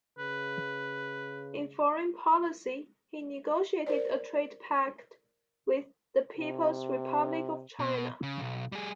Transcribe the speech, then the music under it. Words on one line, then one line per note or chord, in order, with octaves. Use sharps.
In foreign policy, he negotiated a trade pact with the People's Republic of China.
C#3 B4
A#4 C5 D5
C3
B2
C#3
B1
G3 G#4